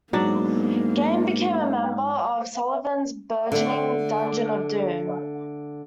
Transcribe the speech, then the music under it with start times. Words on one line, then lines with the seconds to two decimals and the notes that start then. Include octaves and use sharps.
Gang became a member of Sullivan's burgeoning Dungeon of Doom.
0.13 G#2 F#3 A#3 B3 D4
3.52 D3 A3